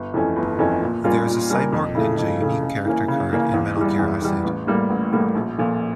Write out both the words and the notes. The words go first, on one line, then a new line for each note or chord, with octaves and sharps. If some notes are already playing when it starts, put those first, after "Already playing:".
There is a Cyborg Ninja unique character card in "Metal Gear Acid".
Already playing: G1
F2 E3 A3 C#4
G1
F2 E3 A3 C#4
A#2
G3 C#4 F4 A#4
A#2
G3 C#4 F4 A#4
F2
C#3 E3 A3
F2
C#3 E3 A3
C#3
E3 A#3 C#4
C#3
E3 A#3 C#4
E2
E3 G3
E2
E3 G3
A1
A2 G3 A#3
A1
A2 G3 A#3
A#1
A#2 F3 A3